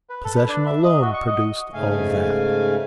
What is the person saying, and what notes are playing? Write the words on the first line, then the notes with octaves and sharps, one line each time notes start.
Possession alone produced all that.
B4
A4
B4
D4
E5
D#5
F#4
C#6
D#5
G#2 C#3 A3 F5 G#5